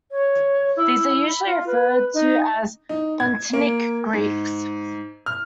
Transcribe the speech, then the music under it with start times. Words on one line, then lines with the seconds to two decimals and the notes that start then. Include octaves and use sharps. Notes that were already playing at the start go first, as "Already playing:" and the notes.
These are usually referred to as Pontic Greeks.
0.11 C#5
0.77 E4
1.28 B5
1.45 F4
1.67 B4
2.14 D#4
2.89 D#4
3.20 G#6
3.53 A#3
4.13 G#2
5.26 F6